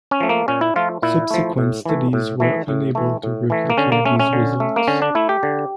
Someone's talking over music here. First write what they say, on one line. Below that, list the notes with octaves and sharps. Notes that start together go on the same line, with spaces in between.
Subsequent studies were unable to replicate these results.
C#4
F3 A3
A#3
A#2 C#4
E4
F3 A3 F4
A#2 E4
F3 A3
A2
E3 A3
A2
E3 A3
A2
E3 A3
A2
E3 A3
A#3
D3 C#4
A#3
A3 C#4
C#4
D3
A3
A#3
D3 C#4
D4
A3 E4
G4
D3